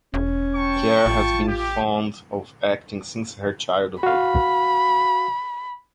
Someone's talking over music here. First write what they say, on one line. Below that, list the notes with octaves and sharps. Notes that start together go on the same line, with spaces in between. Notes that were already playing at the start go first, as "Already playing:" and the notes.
Khare has been fond of acting since her childhood.
E1 C#4
G5 A5 C#6
A1 F4
G4
F#4 F5 B5